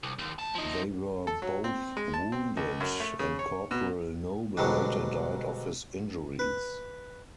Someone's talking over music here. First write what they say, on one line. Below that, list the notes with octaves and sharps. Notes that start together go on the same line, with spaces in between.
They were both wounded, and Corporal Noble later died of his injuries.
C2
D#2
D2 A5
F3 D#4
A4
F#3
C4
G#3
A5
C4
C#2
F#2
A3
C#3
C#5
B2
G#2 B2 D3 F#3 G3 D4
B4